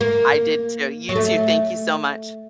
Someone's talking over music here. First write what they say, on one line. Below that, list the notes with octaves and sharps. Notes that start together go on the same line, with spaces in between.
I did too. You too, thank you so much.
A#3
F#3
A3